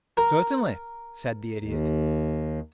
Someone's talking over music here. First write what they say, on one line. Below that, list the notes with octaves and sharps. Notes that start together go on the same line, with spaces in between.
"Certainly," said the Idiot.
A#4
D#2